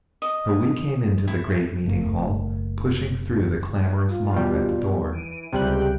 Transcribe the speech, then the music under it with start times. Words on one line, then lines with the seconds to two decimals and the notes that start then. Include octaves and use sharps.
So we came into the great meeting-hall, pushing through the clamorous mob at the door.
0.22 D#5
1.28 E4
1.85 F#1 A3 A#3
4.09 F4
4.34 B2 G3
5.12 E3 D7 D#7
5.53 C#2 C3 G3 G5 F#6